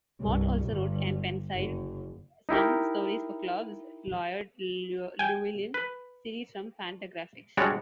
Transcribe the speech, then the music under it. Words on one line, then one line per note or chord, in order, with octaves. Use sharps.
Mort also wrote and penciled some stories for Clowes' "Lloyd Llewellyn" series from Fantagraphics.
C2 G2
G1 G2
F#1
D#4 E4 G4 A#4
G5 G#5
B4
G3 G#3 D4 F#4 C#5 D5